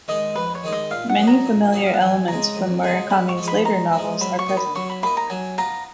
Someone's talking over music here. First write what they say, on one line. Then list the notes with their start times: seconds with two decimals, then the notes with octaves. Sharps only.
Many familiar elements from Murakami's later novels are present.
0.08 D#3 G#3 D#4 D#5
0.35 F2 B4
0.55 C#5
0.64 D#3 G#3 D#4
0.73 D#5
0.91 A#2 F5
1.09 F#5
1.18 F#3 B3
1.27 A#5
1.46 A#2
1.73 F#3 B3
1.86 F5
1.93 F#5
2.01 F2 G#5
2.28 C#3 G#3 A#5
2.56 F2
2.83 C#3 G#3
3.10 G#2 B5
3.29 C#6
3.38 F3 G#3
3.48 B5
3.65 G#2 A#5
3.93 F3 G#3
4.20 F#3 B5
4.39 C#6
4.48 A#3 D#4
4.57 B5
4.75 F#3 C#6
4.90 B5
5.03 A#3 D#4 B5
5.17 A#5
5.30 F#3 G#5
5.58 B3 F4 A#5